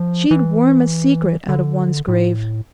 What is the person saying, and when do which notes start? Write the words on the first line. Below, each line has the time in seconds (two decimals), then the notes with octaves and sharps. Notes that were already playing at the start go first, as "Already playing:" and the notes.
She'd worm a secret out of one's grave.'
Already playing: F3
0.31 E3
1.49 D3
2.08 A2